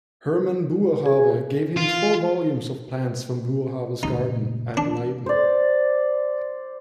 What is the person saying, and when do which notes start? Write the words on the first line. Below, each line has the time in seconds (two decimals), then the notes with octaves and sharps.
Herman Boerhaave gave him four volumes of plants from Boerhaave's gardens at Leiden.
1.06 G#4
1.77 F4
4.03 F#1 A#2 D#4
4.77 B3 D4
5.26 C5 D5